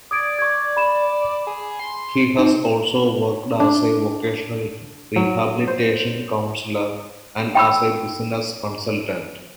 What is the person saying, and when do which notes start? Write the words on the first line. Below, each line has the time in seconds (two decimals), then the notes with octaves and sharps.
He has also worked as a vocational rehabilitation counselor and as a business consultant.
0.11 D5 D#6 G#6 D7
0.39 C#6 G#6
0.77 B5 E7
1.47 G#4
1.79 C6
2.38 C4 D#4
3.60 D4
5.16 F#3
5.67 C5
7.55 G5 B5 E6